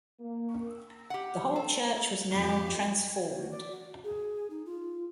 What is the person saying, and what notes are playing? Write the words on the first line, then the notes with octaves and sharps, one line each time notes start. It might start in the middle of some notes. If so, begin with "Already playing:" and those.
The whole Church was now transformed.
A#3
G4 F#5
A4
F2 A2 G4
F#4
D5
F#4
G#4
D#4
F4